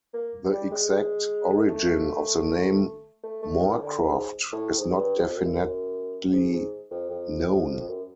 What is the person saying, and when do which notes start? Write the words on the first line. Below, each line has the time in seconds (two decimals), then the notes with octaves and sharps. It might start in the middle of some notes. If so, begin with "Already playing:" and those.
The exact origin of the name Moorcroft is not definitely known.
0.14 A#3
0.53 G3
0.71 G#3
1.58 A#3
1.69 A3
3.23 A3
3.43 A3
3.61 D#3
3.81 D3
4.01 G#2
4.53 A2
4.78 G#2
4.97 G2
5.17 F2
5.36 F#2
6.33 G#2
6.53 G#2
6.91 F2
7.10 F2
7.80 F2
7.88 F#2